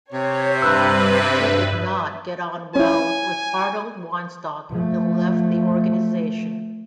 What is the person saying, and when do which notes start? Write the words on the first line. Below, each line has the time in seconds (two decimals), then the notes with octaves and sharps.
She did not get on well with Arnold Weinstock and left the organisation.
0.12 C3 C#5
0.62 G2 B4 E5 E6 F#6
2.76 C#4 E4 G#5
4.70 F3 A3